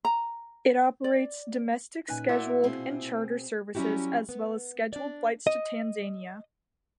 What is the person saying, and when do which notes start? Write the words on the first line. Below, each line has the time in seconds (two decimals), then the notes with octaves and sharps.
It operates domestic scheduled and charter services, as well as scheduled flights to Tanzania.
0.05 A#5
1.04 D5
2.09 A#2 C#4 D#4 B4 G#5
2.29 A#2 E4 F#4 A#4 E5 F#5 E6
2.63 B2 C4 G#4
3.75 F#3 G3 C#4 E4 F#4 G4
4.29 B3
4.93 D4 D5
5.47 D#5